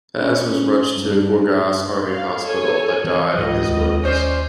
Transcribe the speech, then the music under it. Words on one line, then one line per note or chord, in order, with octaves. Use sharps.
Paz was rushed to Gorgas Army Hospital but died of his wounds.
C#4
G2
F5
A4 C#5 G#5
E3 C4
C#2 G#2 E3 F#3 D#5
D#2
C#4 C5 D5